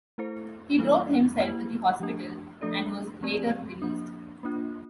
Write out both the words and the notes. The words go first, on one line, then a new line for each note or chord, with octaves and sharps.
He drove himself to the hospital and was later released.
A3 E4 A4 C5
E3 G3 A#3 E4 A4
A#3 E4 G4
F3 A3 D4 G4
F3 A3 D4 A4 D5
F3 A3 C4 G4 D5
F3 A#3 D4
A#3 D4 F4